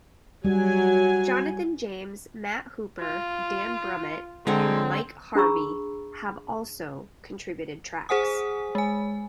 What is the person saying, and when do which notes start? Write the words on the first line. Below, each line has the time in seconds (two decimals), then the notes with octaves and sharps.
Jonathan James, Matt Hooper, Dan Brummitt and Mike Harvie have also contributed tracks.
0.45 F#3 G3 F#4 G#5
3.00 F4
4.47 D3 G#3 C4 C#5 A#5
5.35 D4 G#4 A#5 B5 C#6 E6
8.09 G#4 C5 F#5 G#5 D#6
8.75 G#3 G#5